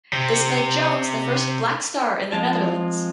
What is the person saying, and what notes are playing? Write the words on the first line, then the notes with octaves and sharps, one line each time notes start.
This made Jones the first black star in the Netherlands.
C3 C4
F3 G#3 C4 F4 A5